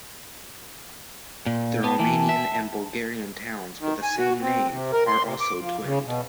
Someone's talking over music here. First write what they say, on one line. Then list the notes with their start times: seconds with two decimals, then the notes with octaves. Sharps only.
The Romanian and Bulgarian towns with the same name are also twinned.
1.46 A#2
1.84 B3 G5 A5
1.99 E3 A#3
2.29 E5
3.80 D#3
4.03 G#5
4.18 F#4
4.41 C4
4.72 C3
4.93 A#4
5.07 C6
5.24 C3
5.40 D6
5.61 F3
5.84 C#3
6.06 B2